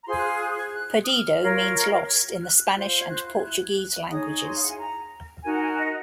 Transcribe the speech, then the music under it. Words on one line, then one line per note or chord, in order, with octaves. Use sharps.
"Perdido" means "lost" in the Spanish and Portuguese languages.
A#5
F4 G#4 C5 C6
F#6
F6
F#6
G#6
F#6
D#6
F6
F4 A#4 C#5
G#6
F6
F#6
F4 C5
G#6
F#6
G#6
F#6
G#6
F#6
D#4 G#4 C#5 D#6
C6
F5
F#5
G#5
A#5
D#4 F#4 A#4 G#5
F#5
G#5
D#5